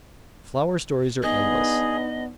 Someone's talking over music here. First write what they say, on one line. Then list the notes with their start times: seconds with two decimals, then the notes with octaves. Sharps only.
Flower stories are endless.
1.23 B3 D4 D#4 G#4 D#5